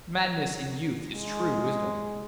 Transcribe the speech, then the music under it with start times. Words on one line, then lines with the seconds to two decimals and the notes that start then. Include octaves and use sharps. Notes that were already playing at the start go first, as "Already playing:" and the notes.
'Madness in youth is true wisdom.
1.13 G#3